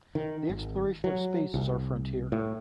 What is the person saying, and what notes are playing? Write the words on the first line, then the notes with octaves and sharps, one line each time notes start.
The exploration of space is our frontier.
D#3
G#1
F#3
C2
A2